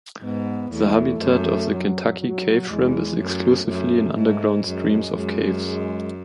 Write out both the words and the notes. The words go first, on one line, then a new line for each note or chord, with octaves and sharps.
The habitat of the Kentucky cave shrimp is exclusively in underground streams of caves.
G#2 B3
E2 A3
F#2
F#3
F#3
E2 G#3
F#2 A3
F#2
G#2
F#2 G#3
F#2 G#3
G#3